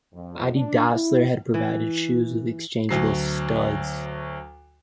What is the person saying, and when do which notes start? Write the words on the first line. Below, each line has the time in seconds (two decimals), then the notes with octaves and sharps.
Adi Dassler had provided shoes with exchangeable studs.
0.14 F2
0.54 D4
0.93 E4
1.54 E3
2.89 D2 F#3 C7